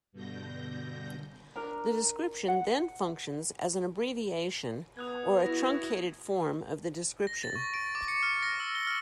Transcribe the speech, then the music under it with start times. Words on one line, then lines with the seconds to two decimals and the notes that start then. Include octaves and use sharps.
The description then functions as an abbreviation or a truncated form of the description.
0.13 G2 B2 D3 G6 A#6
1.56 D4 A#4 A#5
2.48 F#5
4.97 B3 D#6 F#6 G#6
5.41 E4 F#4 A#6
7.27 A#6
7.43 A6
7.55 C#6
7.74 D7
7.95 D6
8.08 C#7
8.23 F6
8.43 A#6
8.60 E6
8.75 G7
8.87 F6